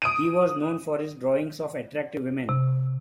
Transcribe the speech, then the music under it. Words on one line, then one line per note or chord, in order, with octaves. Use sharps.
He was known for his drawings of attractive women.
D#6 D7 D#7
C3